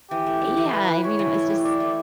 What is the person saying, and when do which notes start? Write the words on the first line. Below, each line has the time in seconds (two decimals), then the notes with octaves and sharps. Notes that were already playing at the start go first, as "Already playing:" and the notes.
Yeah, I mean, it was just
0.11 E3 G4
0.26 A3
0.42 A3
0.57 E3
0.73 E3 B4
0.88 E4
1.04 E4 C#5
1.19 E3
1.34 A3
1.50 G4
1.65 E4 D5
1.80 A3